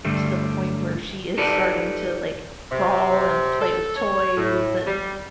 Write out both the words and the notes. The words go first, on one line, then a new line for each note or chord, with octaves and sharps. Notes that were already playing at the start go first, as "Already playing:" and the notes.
to the point where she is starting to, like, crawl and play with toys and
G2 D3 G3 A3
D#4 G4 A4 B4 D5
C3
A4
C#5
A2
G3